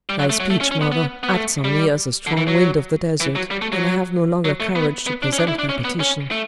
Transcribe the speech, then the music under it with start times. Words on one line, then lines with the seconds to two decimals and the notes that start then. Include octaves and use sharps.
"Thy speech, mother, acts on me as a strong wind of the desert, and I have no longer courage to present my petition."
0.09 G3
0.19 F#3
0.30 A3
0.40 F#3
0.50 A3
0.61 C#4
0.71 C#4
0.82 B3
0.92 B3
1.23 B3
1.34 A3
1.64 G3
2.27 D3
2.37 E3
2.48 F#3
3.20 E3
3.36 F#3
3.51 G3
3.62 A3
3.72 F#3
4.45 F#3
4.60 A3
4.76 B3
5.07 B3
5.23 D4
5.33 C#4
5.38 D4
5.48 E4
5.59 D4
5.69 C#4
5.85 B3
6.00 C#4
6.31 A3